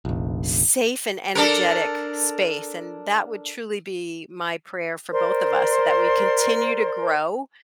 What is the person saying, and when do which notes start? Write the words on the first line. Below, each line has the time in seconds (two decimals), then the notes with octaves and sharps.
safe and energetic space and that would truly be my prayer for both of us that we continue to grow,
0.05 F1 A#1
1.35 D4 A4 A#4
5.11 A#4 C5 D5 C6